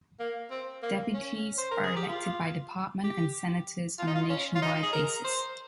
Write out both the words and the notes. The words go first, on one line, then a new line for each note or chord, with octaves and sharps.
Deputies are elected by department and Senators on a nationwide basis.
A#3
C4
A#3
C#4
C5
A#4
G#4
G4
F4
G4
F4
D#4
F4
C#4
F4
D#4
G#4
A#4
C5